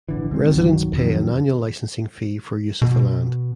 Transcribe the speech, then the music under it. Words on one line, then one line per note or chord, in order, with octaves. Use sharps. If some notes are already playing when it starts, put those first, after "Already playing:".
Residents pay an annual licensing fee for use of the land.
A#1 D3 E3
D#1 D3 G#3 C4
G1 C2 D#3 F#3
F2 D#3 F#3
B2